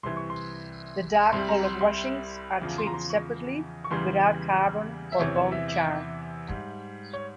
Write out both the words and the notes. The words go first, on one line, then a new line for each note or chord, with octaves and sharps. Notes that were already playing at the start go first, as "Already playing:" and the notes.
The dark-coloured washings are treated separately, without carbon or bone char.
C2 C3 E3 C6
C#6
C6
C2 C3 G3 C6
A#5
C6
C6
E2 C#3 F3
C6
A#5
C6
C#6
C#6
E2 C#3 E3 G3 C6
E5
E2 C3 E3 C#5
C#5
E5
E5
G#2 G3
C#5